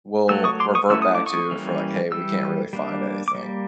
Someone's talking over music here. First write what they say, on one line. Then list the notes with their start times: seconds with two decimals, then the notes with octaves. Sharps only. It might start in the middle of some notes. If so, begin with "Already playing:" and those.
we'll revert back to if we're like, "Hey, we can't really find anything."
0.29 F#3 A3 E6
0.44 C#6 D#6
0.60 C6 D6
0.75 C#6 D#6
0.90 F#3 A3 C#4 E4 E6
1.02 D#6
1.15 D6
1.26 C#6 D#6
1.51 E3 G3 A#3 C#4
2.12 E3 G3 E6
2.73 G3 A#3 D4
3.28 D6
3.34 G3 A#3